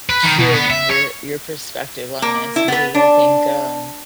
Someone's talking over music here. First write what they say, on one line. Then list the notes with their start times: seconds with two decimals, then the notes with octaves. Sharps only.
hearing your your perspective on this because I think, um,
0.09 B4
0.24 D#3
0.38 B2
0.54 B3
0.70 E5
0.90 C#5
2.22 A#3
2.56 E4
2.68 B3 B4
2.95 D4